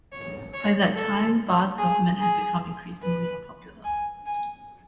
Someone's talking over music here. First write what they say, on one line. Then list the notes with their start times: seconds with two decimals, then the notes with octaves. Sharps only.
By that time, Barre's government had become increasingly unpopular.
0.12 C#5
0.54 C#5
0.95 A4
1.78 G#4
2.19 G#4
3.02 B4
3.84 G#5
4.26 G#5